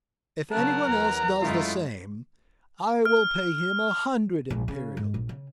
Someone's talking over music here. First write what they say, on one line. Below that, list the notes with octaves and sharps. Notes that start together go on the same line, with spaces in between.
If anyone else does the same, I will pay him a hundred imperials.
C#3 F#3 A#4 F#5 A5
E2 A#5
F#2 G#3 A3 E4 F4
F6
A#1
C#3
G#2
A#1
C#3